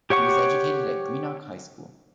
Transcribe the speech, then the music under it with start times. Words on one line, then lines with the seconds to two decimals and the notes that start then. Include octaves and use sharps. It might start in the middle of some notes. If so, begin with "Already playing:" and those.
He was educated at Greenock High School.
0.10 G4 C#5 F#5 C#6 D6